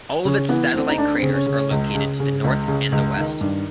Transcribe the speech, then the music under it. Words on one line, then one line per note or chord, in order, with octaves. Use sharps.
All of its satellite craters are located to the north and the west.
C#3 C#4
E3 B3
D2 C4
D#4
D2 D4
C4
C#3
C#4
C#3
C#4
C#2
C#3
C#3
C#2
C#3
C#2
D#3
G2